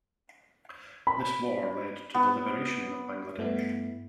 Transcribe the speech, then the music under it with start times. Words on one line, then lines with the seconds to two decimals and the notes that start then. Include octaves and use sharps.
This war led to the liberation of Bangladesh.
1.07 B5
2.14 B3
3.38 G2 A3 B3 E4